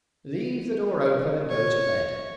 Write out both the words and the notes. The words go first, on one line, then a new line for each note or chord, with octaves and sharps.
Leave the door open, and go to bed.
C#5